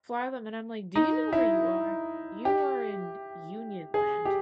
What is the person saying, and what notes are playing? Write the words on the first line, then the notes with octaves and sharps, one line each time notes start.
fly them, and I'm, like, "Do you know where you are? You are in Union land."
D#4
E4
G4
G#4
G4